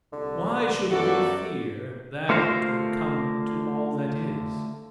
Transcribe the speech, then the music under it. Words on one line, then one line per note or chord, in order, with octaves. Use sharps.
Why should we fear that which will come to all that is?
C2 D3
F#2 B3 F4 F#4 A4 D5
D3 A3 F4 A#4 C5